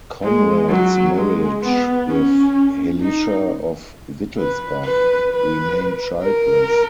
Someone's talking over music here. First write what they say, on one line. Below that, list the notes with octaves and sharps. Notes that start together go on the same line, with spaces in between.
Conrad's marriage with Hellicha of Wittelsbach remained childless.
G#3
F#3
G#3
B3
C#4
D#4
B4
B4
B4
A#4